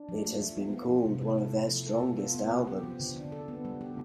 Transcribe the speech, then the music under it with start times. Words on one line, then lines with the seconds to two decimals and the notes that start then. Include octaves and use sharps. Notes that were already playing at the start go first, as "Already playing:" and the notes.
It has been called one of their strongest albums.
Already playing: D4
0.09 F3
0.24 A3
0.41 F3
0.57 B3
0.73 F4
0.89 F3
1.06 C3
1.22 E4
1.38 A4
1.54 A3
1.70 F3
1.87 A4
2.03 B3
2.19 F4
2.35 B3
2.51 C4
2.67 G4
2.83 F3
3.00 D3
3.16 D4
3.32 A4
3.48 B3
3.65 G3
3.81 G4